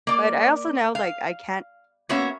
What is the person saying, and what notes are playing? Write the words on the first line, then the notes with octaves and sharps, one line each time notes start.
but I also know, like, I can't
A#3 D5
F5
A#3 B3 C#4 F#4 C#5 E5